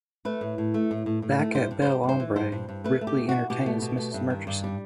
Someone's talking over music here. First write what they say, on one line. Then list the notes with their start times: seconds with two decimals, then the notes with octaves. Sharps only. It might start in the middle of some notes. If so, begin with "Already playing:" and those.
Back at Belle Ombre, Ripley entertains Mrs. Murchison.
0.25 A3 B4
0.41 A2
0.58 A2
0.74 A3
0.91 A2
1.06 A2
1.22 A2
1.39 A3
1.55 G3 C5
1.71 G2
1.82 C5
1.87 G3
2.04 G2 C5
2.20 E3
2.36 G2 C5
2.52 G2
2.69 G2
2.84 A3 B4
3.01 A3
3.07 G4
3.18 B2
3.29 F#4
3.34 B2
3.50 B2 G4
3.66 A3
3.82 B2
3.98 A3
4.14 G2
4.30 D#3
4.47 G2
4.64 G3